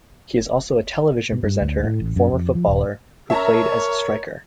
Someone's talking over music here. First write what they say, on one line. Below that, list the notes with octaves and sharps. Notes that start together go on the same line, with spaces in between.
He is also a television presenter and former footballer who played as a striker.
B2
G2
D2
A2
A1
F#2
F2
F3
D#1
A#4 C#5 E5 A5 A#5